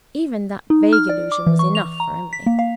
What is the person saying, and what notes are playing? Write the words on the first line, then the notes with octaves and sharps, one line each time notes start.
Even that vague allusion was enough for Emily.
D#4
F6
D5
D6
E3
C#6
F7
A#5
B6
A#3
F5